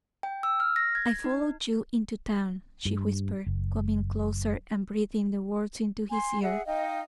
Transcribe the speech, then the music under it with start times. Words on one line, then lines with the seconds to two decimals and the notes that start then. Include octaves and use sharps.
"I followed you into town," she whispered, coming closer, and breathing the words into his ear.
0.23 G5
0.43 E6
0.60 F6
0.76 A#6
0.95 G#6
1.24 D#4
2.85 G2
3.46 F#1
6.11 G#5 C6
6.42 G#4 E5 F#5
6.66 D#4 D#5 F5 G5